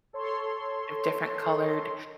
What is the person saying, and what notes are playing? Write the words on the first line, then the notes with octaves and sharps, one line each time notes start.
of different colored
A4 C#5 C6